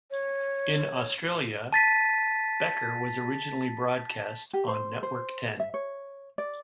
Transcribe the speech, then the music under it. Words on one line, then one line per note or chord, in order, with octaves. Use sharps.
In Australia, "Becker" was originally broadcast on Network Ten.
C#5
A5 A6 B6 D#7
G4
C5
C5
E5
C#5
D5